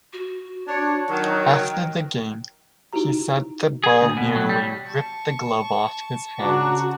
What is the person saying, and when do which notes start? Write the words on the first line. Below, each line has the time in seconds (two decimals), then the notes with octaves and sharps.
After the game, he said the ball nearly ripped the glove off his hand.
0.13 F#4
0.67 D4 C#5
1.09 D#3 F#3
1.50 G5
2.93 D#4 E4 F#4 G4 A#5
3.84 G#4
4.01 D2
4.17 B2
4.36 F#3
4.49 G3
4.87 A5 C#6
6.40 C#3 D4 F#4 A#5